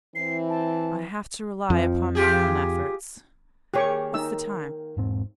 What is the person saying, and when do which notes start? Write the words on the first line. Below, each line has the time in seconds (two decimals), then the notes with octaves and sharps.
I have to rely upon my own efforts. What's the time?
0.15 E3 C4 E4 C7
0.49 A5
1.70 F2 F3
2.15 F4 G4 G#4
3.74 D#3 A#3 G4 G#4 C#5 C#6
4.14 D#4 E6
4.97 E1 G#2 C4